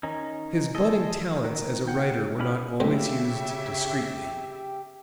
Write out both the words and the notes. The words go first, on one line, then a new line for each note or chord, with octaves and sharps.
His budding talents as a writer were not always used discreetly.
D#3 C#4 D#4
G#3 A4 D#5
D#3
F#5 G5
C#4 F4 D5 F5 B5
B1 A2 C#3 G#3 G4 E5